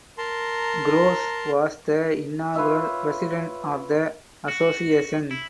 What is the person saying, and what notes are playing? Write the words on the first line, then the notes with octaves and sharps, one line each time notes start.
Groves was the inaugural president of the association.
A#4 A5 A#5 C6
F4 B4 C#5 E5
F#4
E4